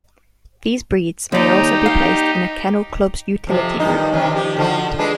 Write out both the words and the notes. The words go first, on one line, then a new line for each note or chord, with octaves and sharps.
These breeds may also be placed in a kennel club's Utility Group.
D#2 D#4 G4 D5
F5
F2 C3 F3
G2 D#3 D#4
C3 D#3 C#4
F3 G4
D3 F3 F#4
G#3 D4 B4